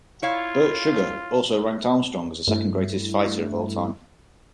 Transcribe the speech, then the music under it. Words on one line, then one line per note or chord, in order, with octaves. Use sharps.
Bert Sugar also ranked Armstrong as the second-greatest fighter of all time.
E4 F4 C#5 F5
G2 A3 E4